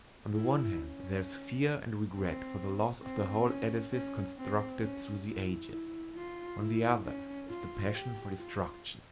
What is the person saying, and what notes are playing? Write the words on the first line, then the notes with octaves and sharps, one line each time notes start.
On the one hand there is fear and regret for the loss of the whole edifice constructed through the ages, on the other is the passion for destruction.
E4
C#4
C4
C4
C#4
C#4
C4
C#4
E4
E4
F4
E4
C#4
F4
G4
F4